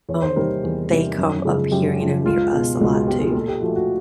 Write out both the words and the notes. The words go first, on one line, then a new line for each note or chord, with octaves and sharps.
uh um, they come up here, you know, near us a lot too.
E2 C#5
C5
C3 D#3 G3 A#3 A#4
E2
C3 D#3 G3 A#3
F#2
C#3 F3 G#3
F#2 G4
C#3 F3 G#3
C#2 F4
B2 G#3
C#2 F#4
G#4
B2 G#3 G4
G#4
A#2 A4
G4
F3 A3 F#4
F#4